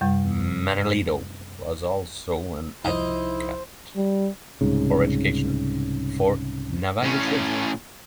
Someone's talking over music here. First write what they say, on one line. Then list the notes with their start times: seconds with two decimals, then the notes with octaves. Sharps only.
Manuelito was also an advocate for education for Navajo children.
0.01 F#2 C3 G3
2.85 C2 F3 D#4 E4 C5
3.96 G3
4.61 C2 G#2 C#3
7.03 A2 C#4